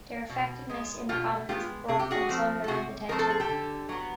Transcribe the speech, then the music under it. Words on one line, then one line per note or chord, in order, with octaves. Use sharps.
Their effectiveness in the Commons brought them Sunderland's attention.
B2
G#3 B3
B2 F4 G4
G#3 B3 F4 G4
C3 G#4
G4
F#4 G#4
F3 A3 C4
A4
C3 F#4 G#4
F3 A3 C4 A#4
A4
G#4
G4 A4
D3
F#3 B3